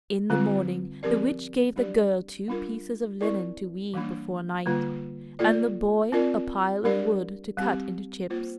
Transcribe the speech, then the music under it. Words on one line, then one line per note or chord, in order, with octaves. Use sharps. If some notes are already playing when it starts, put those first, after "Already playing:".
In the morning the witch gave the girl two pieces of linen to weave before night, and the boy a pile of wood to cut into chips.
D3 G3 C4 F4
F3 C4 G4 A#4 D5
G3 D4 G4 D5
G3 D4 F4 A#4
C4 E4 A#4 D5
E3 G3 A#3 D4
D3 G3 A#3 F4
A#3 F4 A4 D5
C4 F4 A#4 D5
G3 D4 G4 A#4 D5
G3 C4 G4
A#3 F4 C5